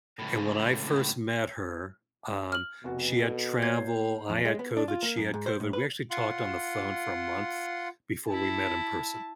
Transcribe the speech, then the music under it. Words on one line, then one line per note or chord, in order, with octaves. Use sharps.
and when I first met her, um, she had travel I had COVID; she had COVID, we actually talked on the phone for a month before we met in person.
C#2 A2
F6 F#7
F1 B2 F#4
A4
A#3 C#5 G6 G#6 C7
F2
G#3
B3
D4
F4
A#3
F#2
G#2
C5
A2
B4
F4 F#5 C6
E4 A5